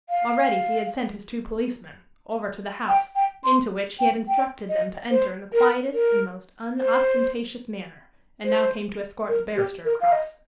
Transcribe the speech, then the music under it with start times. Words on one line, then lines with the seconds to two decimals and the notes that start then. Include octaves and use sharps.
Already he had sent his two policemen over to the house, into which he had instructed them to enter in the quietest and most unostentatious manner, and now came to escort the barrister across.
0.09 F5
2.88 G5
3.15 G5
3.44 C6
3.99 G5
4.28 G5
4.69 D#5
5.11 C5
5.53 A#4
5.94 A#4
6.78 C5
8.45 C5
9.29 A#4
9.56 G4
9.85 A#4
10.01 F5
10.12 D#5